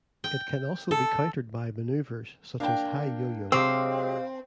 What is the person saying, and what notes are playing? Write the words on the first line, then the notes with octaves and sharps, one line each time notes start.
It can also be countered by maneuvers such as high yo-yo.
G5
A4
A#3 D4 G5
C3 F#3 G#3 C4 F5 D6 E6